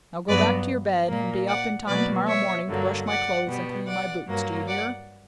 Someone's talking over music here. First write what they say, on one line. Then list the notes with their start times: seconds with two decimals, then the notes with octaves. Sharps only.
"Now go back to your bed, and be up in time to-morrow morning to brush my clothes and clean my boots, do you hear?"
0.28 G2 F#3 B3 B4 D5
1.08 A#2 A#3
1.47 D5 F#5
1.87 B2 F#3 A#3 B4 D5
2.27 C#5 E5
2.68 G2 D3 F#3 A#3
3.07 D5 F#5
3.48 B2 G3 B3
3.87 D5 F#5
4.28 G2 F#3 A#3
4.68 D5 F#5